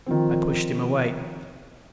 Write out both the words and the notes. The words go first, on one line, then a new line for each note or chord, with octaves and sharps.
I pushed him away.
D#3 F3 C4